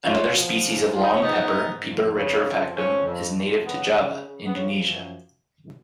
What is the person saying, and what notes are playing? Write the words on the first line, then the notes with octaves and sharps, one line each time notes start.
Another species of long pepper, "Piper retrofractum", is native to Java, Indonesia.
B3 C#4 F4
F3
G#2
F3 F4
D#4
C#4
G#2 B3 D#4
G#2
F2
C#3
F2
F2 C#4
F2
F2
C#3 B3
C#3
C#3
B3
F3 C#4
F#2